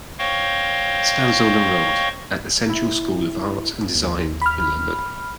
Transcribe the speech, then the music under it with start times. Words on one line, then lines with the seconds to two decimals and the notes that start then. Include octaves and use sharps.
Stanshall enrolled at the Central School of Art and Design in London.
0.19 C5 C#5 D#5 F5 G5 C#6
2.70 E4
3.95 D#2
4.42 B5 F6